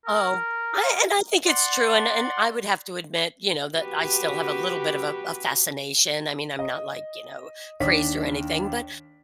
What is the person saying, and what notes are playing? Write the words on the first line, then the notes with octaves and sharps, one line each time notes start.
Oh, I and I think it's true, and and I would have to admit, you know, that I still have a little bit of a a fascination, I mean, I'm not, like, you know, crazed or anything, but
A#4
D5 F#5 C6
F#4 G4 B4
D#5
D#2 D4 B6